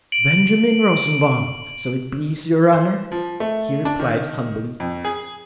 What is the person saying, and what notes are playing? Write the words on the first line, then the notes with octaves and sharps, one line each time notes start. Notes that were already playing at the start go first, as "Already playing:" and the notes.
"Benjamin Rosenbaum, so it please your Honour," he replied humbly.
D7 F#7
C5
F3
A3
D4
D#3
F2
G#4